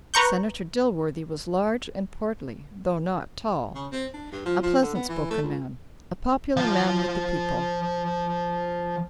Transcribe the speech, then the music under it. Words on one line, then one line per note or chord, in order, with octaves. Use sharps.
Senator Dilworthy was large and portly, though not tall--a pleasant spoken man, a popular man with the people.
B4 A#5 C#6 G6
C#3
C4
D4
G2
F3
F3
D3
B3
E3
A3
C#2
F3 F5